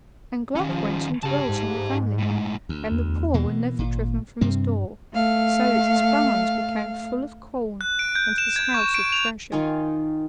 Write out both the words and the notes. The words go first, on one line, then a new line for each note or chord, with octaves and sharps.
And Gluck went and dwelt in the valley, and the poor were never driven from his door, so that his barns became full of corn and his house of treasure.
D#3 C#4
F3
C#3 G4 A5
G#2
A2 G#3
D2
E2
B2 E3 A#3
G#1 A#2
G2 C3 G3 C4
A3 F5
F#6
D7
G6
E7
G#6
C#6
D7
F7
D#3 D#4 F4 G#5